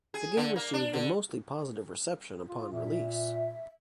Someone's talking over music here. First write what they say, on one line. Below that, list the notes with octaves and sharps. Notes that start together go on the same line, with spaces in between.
The game received a mostly positive reception upon release.
G#4
D3
A#3
D4
D3
F4
A#2 E5